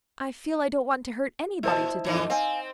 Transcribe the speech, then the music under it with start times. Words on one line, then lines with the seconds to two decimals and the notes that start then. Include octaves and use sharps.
"I feel I don't want to hurt anybody to-day."
1.63 A#2 E4 C5 A5
2.05 A2 E3 D#4
2.30 C4 F5 G#5